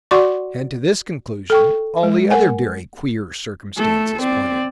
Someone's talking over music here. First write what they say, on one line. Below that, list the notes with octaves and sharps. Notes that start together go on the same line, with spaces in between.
And to this conclusion all the other very queer circumstances pointed.
F#4 D5 F#5 C6 C#6
A4 G5 C#6
G#3
A#4 F#5 G#5
A3 A4
C4 D5